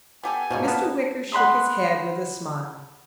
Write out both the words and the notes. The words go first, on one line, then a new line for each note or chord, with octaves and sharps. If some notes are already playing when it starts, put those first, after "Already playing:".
Mr. Wicker shook his head with a smile.
B3 G4 A4 G#5
G#2 B2 F3 G3 C#4
A#3 B3 A5
F#5 B5 C6 D#6